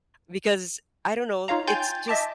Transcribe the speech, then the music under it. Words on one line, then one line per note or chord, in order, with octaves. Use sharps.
Because I don't know, it's just
D#4 F4 C#5 F5 A#5
G5 G#5 C6 G6 A6
D#5 E5 A5 D6